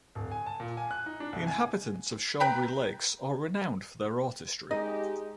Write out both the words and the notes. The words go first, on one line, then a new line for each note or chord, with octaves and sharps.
The inhabitants of the Chambri Lakes are renowned for their artistry.
D1
G#5
A5
A#2
G#5
F#6
D#4
D4
C2
G#5
B4 G5 A#5 B5
G#3 D#4 G4 D#5